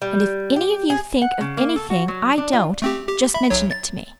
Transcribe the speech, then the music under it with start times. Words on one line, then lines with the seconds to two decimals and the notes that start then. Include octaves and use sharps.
And if any of you think of anything I don't, just mention it to me.
0.02 G3
0.56 G4
0.90 G#4
1.22 F#5
1.41 C#3
1.57 A#3
1.76 A4
1.90 F#4
2.08 F#3
2.38 D4
2.53 F4
2.82 A3 C4 G4
3.08 G4
3.34 E5 B5
3.50 B1 F#3 C#5
3.71 A6